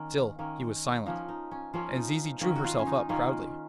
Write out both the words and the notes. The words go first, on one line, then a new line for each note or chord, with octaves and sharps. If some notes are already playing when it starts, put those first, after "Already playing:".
Still he was silent, and Zizi drew herself up proudly.
Already playing: D#3 A#3 C#4
D#3 A#3 C#4
F3 A#3 C#4 D#4
D#4
C#4
F3 A#3 C#4 F4
D#4
D#3 A#3 C#4
F#4
F4
C#4
D#4
D#3 A#3 C#4 F4